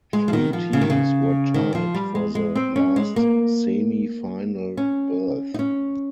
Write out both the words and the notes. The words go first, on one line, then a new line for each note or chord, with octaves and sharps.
Three teams were tied for the last Semi-Final berth.
G#3
F3
D#3
F3
C#3
D#3
C#3
D#3
F3
G3
G#3
G#3
C4
C#4
G#3
A#3
C#4
D#4
C#4